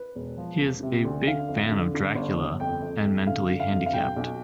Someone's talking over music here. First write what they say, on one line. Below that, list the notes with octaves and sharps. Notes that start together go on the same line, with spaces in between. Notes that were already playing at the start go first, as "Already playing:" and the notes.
He is a big fan of Dracula, and mentally handicapped.
Already playing: B4
E1
F3
E1
C3
D2
D3 F5
F2
D3
D3
G1
G1
F2 G5
F2
F2
D3 F5
D3
F5
F2
F5
B1 G5
B1